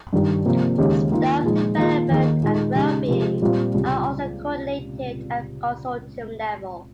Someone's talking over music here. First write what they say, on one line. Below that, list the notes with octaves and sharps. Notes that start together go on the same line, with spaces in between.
Staff development and well-being are also coordinated at consortium level.
G2 D#3 G3
C3 F3 A#3
D#2 C#3 G#3 C#4 G4
D#3 A#3 F4
A#2 F3 G#3 D#4
D#3 A#3 F4 G#4
D#2 D#3 A#3 D#4 G#4
A#2 G#3 D#4
C#3 G#3 D#4 G4
C3 F3 G#3 C4 G4
A#2 G3 C4 F4
C#2 C3 G3